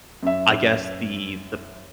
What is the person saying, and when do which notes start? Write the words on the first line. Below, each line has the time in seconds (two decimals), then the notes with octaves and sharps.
I guess, the the
0.23 F#2 E5